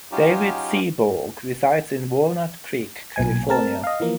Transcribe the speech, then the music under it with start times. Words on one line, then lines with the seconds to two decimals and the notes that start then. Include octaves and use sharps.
David Seaborg resides in Walnut Creek, California.
0.12 F#3 C#4 D#4 F4 G4
3.16 B1 A#2 G#5
3.48 A3 C4 A#4 A5
3.84 D#5 F5
4.00 E3 F3 A#3